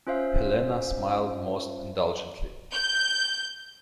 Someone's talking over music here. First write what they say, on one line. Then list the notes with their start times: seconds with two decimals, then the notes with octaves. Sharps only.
Helena smiled most indulgently.
0.07 C#4 F4 C5 E5 F5
2.73 G6